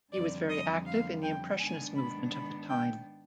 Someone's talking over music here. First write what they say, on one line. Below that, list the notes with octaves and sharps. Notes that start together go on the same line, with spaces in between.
He was very active in the Impressionist movement of the time.
F2 D3 G3 D5
D#5
F5
G5
G#2 D#3 B3 D4 G#5
B5
B5
G5